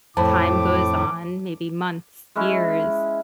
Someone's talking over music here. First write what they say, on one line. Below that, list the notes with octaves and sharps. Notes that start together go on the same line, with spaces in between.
time goes on, maybe months, years,
F2 A2 A5 B5 D6
G#3 C#4 E4